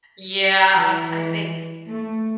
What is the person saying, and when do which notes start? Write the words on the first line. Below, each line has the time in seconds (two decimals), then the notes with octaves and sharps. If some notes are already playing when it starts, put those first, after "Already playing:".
Yeah, I thin
0.74 E3
1.88 A3